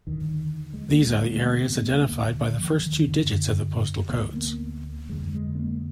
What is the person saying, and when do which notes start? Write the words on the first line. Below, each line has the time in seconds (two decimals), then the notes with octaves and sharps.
These are the areas identified by the first two digits of the postal codes.
0.07 D#2 D3 D#3
0.74 G#3
0.91 A#3
1.07 D#2 D3 G#3
1.32 A#3
1.58 B3
1.75 G#3
1.83 A#3
2.07 D#2 D3
2.58 F3
2.83 D#3
3.08 F#2 D3 D4
4.09 D2 D3 B3
4.34 A#3
5.09 F2 D3 G#3
5.34 G#3
5.55 B3
5.59 A#3